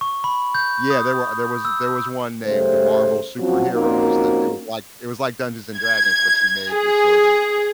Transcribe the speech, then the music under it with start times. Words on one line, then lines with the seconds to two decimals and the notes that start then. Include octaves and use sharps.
Yeah, there were there was there was one named Marvel Superheroes that it was like it was like Dungeons& Dragons, but you made your sort of
0.01 C#6
0.24 B5
0.55 G6
0.90 D#6
1.65 E6
2.46 C#3 G3 A3 C5
3.39 F3 F#3 C4 C#4 F#4
3.74 F3 A#3 C4 C#4 D#4 F#4
5.78 G#6
6.72 G#4